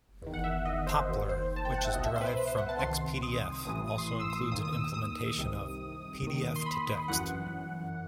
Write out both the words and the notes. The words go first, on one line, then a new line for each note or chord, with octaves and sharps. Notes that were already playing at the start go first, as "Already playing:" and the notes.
Poppler, which is derived from Xpdf, also includes an implementation of pdftotext.
E2 D#3
F#5
E5
D#5
C5
D#2 D#3
C5
A5
G5
F#5
E5
C2 B2 D#5
E5
C5
B4
C5
B4
C5
F#5
A5
C2 C3 D#3 C6
D#6
A1 A2 E3 D#6
D#6
C6
D#6
E6
D#6
D#2 D#3 D#6
D#6
E6
D#6
C2 C3 D#3
D#2 D#3
C6
B5
G1 F#2 E3 F#5